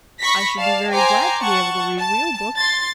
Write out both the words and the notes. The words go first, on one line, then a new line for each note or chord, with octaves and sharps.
'I should be very glad to be able to read real books.
B5 C#6 A#6 B6
D5 F5 A5
C5 G5 G#5 A#5 C6 D6
F#5 A5 C#6
A5
C6 A6